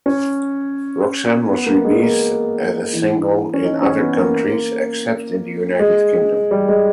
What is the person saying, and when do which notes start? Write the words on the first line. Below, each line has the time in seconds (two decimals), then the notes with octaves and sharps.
"Roxanne" was released as a single in other countries except the United Kingdom.
0.06 C#4
1.50 B3
1.66 A#3
1.85 G#3
2.02 A#3
2.92 E3
3.54 C#4
3.64 D#4
3.82 C#4
3.99 B3
4.17 A#3
5.79 G#3
6.51 G3
6.68 G#3